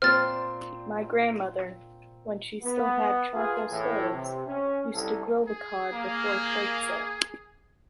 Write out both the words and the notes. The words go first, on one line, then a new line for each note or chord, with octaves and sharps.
My grandmother, when she still had charcoal stoves, used to grilled the cod before flakes it.
A#2 C4 D5 C6 F6 A6
B3
F4 G#4 A#4 B4
A2 E3
C3
C#4
C2 A4
G#4
A#3